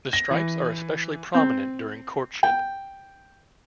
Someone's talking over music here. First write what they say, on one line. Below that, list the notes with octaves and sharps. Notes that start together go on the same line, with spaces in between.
The stripes are especially prominent during courtship.
A#6
E3
C4
G5